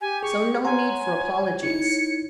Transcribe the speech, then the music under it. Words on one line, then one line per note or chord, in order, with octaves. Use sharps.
"So no need for apologies."
G4 G#5
G#4 C#6
C#5 F#5 G#5 A#5 C6
D#4 E4 C#7